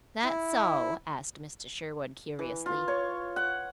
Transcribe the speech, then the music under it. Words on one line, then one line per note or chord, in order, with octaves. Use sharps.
"That so?" asked Mr. Sherwood curiously.
E4
E3
F4
C#5
F#5